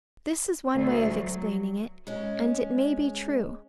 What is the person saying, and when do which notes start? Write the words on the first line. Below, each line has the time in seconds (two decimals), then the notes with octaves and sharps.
This is one way of explaining it, and it may be true.
0.74 D2
1.08 F#3
2.07 G#3 C#4